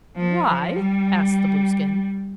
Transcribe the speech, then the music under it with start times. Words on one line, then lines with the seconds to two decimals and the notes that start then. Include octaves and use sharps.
"Why?" asked the Blueskin.
0.16 F3
0.47 F3
0.77 G3